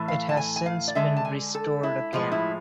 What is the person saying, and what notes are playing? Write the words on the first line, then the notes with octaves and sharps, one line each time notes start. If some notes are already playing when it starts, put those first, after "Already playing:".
It has since been restored again.
Already playing: A2 E3 A3
F5
A5
G#5
G#5
F5
D5
D3 G#3 D4 E5
A5
G#5
A4
E4
A2 F3 G#3 F4
E4